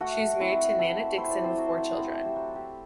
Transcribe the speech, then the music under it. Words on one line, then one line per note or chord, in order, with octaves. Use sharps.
She is married to Nana Dickson with four children.
A3 F#4 F#5
C4 E4
A3 E4 E5
C4 E4 C5
D5
C4 C5
F#3 F#4
A3 C4 E4
A4
G4
F#3 F#4
G4